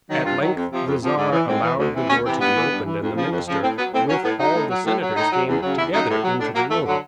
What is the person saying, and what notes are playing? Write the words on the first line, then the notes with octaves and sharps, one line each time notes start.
At length the Czar allowed the door to be opened, and the minister, with all the senators, came together into the room.
D#3 F#3
G2 F4
D#3 F#3
F2
C3 F3
F2
C3 F3
G#2
E3
G#2 C4
E3
D2
C3 E3
D2 C#4
C3 E3 C4
G2 B3
E3
G2
E3
F2
C#3 F3
F2
C#3 F3
A2 C4
F#3 B3
A2 C4
F#3 C#4
A2 B3
F#3 D#4
A2
F#3
A2
F#3
A2 D#4
F#3
E2
C#3 F#3
E2 E4
C#3 F#3 D#4
A2
F#3
A2 D4
F#3 A#3
F2 A3
D3 F#3